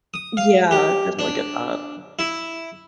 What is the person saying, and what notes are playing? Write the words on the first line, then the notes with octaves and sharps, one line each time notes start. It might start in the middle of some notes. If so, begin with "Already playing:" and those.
Yeah, definitely get that.
D#6
F5
G4
D4
E4